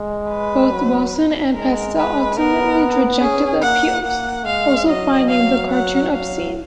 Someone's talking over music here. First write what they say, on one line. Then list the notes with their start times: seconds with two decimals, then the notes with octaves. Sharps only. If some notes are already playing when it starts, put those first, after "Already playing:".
Both Wilson and Pastel ultimately rejected the appeals, also finding the cartoon obscene.
Already playing: G#3
0.29 B4
0.71 F#3
1.54 G#3 A#4
1.96 B4
2.37 B3 A#4
3.20 C#4 G#4
3.62 A#3 F#5
4.03 A#3 F#5
4.45 G#3 F5
4.87 F#3 D#5
5.29 F5
5.70 F#5
6.12 F#3 F5